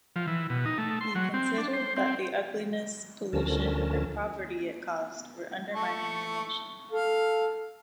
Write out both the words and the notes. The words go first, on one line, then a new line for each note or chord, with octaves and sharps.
He considered that the ugliness, pollution and poverty it caused were undermining the nation.
F3
E3
B2
D#4
A3
C6
F#3
C4
D4
C5
C4
D2 D3 F3 C#4 A#4 A5
A3 C#6
A4 F5